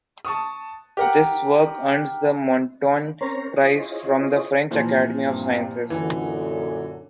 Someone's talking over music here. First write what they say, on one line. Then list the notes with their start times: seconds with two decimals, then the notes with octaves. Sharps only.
This work earns the Montyon Prize from the French Academy of Sciences.
0.25 A5 C#6 D#6
0.97 G4 A#4 F#5
3.21 C4 C#4 A#4 C5 C#5 A#5
3.57 F4 D#6
3.76 E4 F4 G#4 C5 C#5 D#5
4.71 A#2 E3 F3
5.26 G2 C3
5.90 F#2 A#2 D3 E3